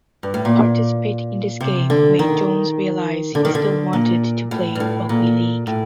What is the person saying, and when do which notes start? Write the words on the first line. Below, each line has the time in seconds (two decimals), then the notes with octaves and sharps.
Participating in this game made Jones realise he still wanted to play rugby league.
0.23 G2
0.34 A2
0.45 A#2
1.61 C3
1.90 D3
2.19 D#3
3.35 D3
3.45 D#3
3.55 D3
3.93 A#2
4.51 A2
4.75 G2
4.80 A2
5.09 A#2
5.67 A2